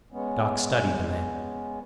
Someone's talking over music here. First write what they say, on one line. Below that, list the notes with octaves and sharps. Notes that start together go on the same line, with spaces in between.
Doc studied the man.
G#3 B3 C#4